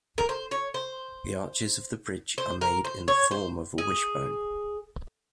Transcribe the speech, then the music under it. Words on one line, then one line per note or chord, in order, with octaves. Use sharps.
The arches of the bridge are made in the form of a wishbone.
A#4
C5
C#5
C5
C5
A#4
C5
C#5
C5
G#4